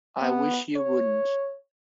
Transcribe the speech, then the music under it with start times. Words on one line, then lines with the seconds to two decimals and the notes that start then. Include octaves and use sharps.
I wish you wouldn't.
0.21 B3
0.76 C#5